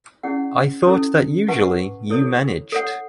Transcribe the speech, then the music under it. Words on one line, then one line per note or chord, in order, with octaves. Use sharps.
I thought that usually, you managed.
C#4 E4 G#4 D5 F#5
C#4 E4 A4
B4 F#5 A5 C#6
E4 A4 C#5
A4 C#5 F#5